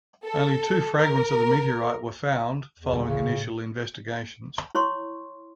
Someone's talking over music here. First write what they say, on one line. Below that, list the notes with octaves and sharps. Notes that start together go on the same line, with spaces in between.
Only two fragments of the meteorite were found following initial investigations.
A4
A#4
E2
B2 D3 G3
A1 D2 C#3
A2
E4 C#5 C6 C#6